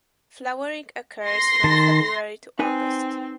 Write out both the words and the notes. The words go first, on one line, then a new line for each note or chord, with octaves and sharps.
Flowering occurs from February to August.
C6 A#6 C7
D#3 A5
C4 D#4 B4 G#5